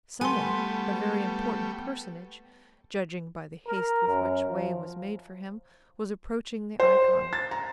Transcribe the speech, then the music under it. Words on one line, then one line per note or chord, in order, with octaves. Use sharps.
Someone, a very important personage judging by the haste with which way was made for him, was approaching the icon.
G3 A3 B3 G#5 C6
A#4
F#2
F3
C5
A6
A#5